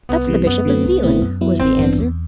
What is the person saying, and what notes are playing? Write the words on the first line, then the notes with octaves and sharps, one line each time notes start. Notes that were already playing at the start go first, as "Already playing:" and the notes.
"That's the Bishop of Zealand," was the answer.
C2 B3
C3 E3 G3
F#2 B3
D3 F#3 A3 C4
C2
B2 A3 C4 E4
F#2
F#3 B3 E4
A1 C4
G2 E3 B3 D4
E2